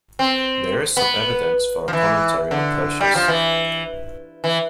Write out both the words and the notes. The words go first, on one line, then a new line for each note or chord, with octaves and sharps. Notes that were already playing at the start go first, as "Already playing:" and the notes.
There is some evidence for a commentary on Persius.
C4
B3
F3
E3
D3
G3
F3
E3
E3